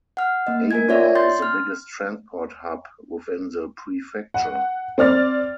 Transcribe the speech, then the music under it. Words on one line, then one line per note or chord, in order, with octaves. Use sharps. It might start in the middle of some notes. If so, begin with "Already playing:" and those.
Aba is the biggest transport hub within the prefecture.
F#5 F6
A#3 D#5
A#4 G#5 G#6
F4 C#5 D5 E5
G5 C6 G6 A6
F6
F#5
C4 D5 F6 A6